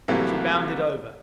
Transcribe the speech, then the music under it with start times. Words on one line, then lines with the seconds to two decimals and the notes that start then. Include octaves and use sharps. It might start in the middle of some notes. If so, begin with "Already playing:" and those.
She bounded over.
0.08 C2 C3 E3 F#3 A3 A#3